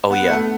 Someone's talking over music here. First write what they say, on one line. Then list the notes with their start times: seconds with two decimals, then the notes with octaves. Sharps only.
Oh, yeah.
0.10 B3 F#5
0.29 A3